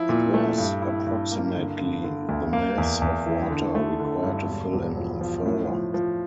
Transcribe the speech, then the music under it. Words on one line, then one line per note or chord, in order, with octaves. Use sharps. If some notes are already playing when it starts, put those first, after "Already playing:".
It was approximately the mass of water required to fill an amphora.
Already playing: F3 E4
A#2
A3
G2
E4
G2
A#3
D3
D3
D3
D2
A#3
E2
E2
E3
D3
A3
D3
G2
E1
E1
F3
F3
A2
F3
F3